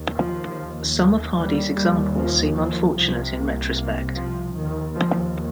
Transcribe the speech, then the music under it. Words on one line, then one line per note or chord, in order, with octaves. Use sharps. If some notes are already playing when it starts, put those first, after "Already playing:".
Some of Hardy's examples seem unfortunate in retrospect.
Already playing: D#2
F3
D#2 G3
G3
F3
F3
C2 C3 F3
A#3
A#3
F3
D#2 D#3
F3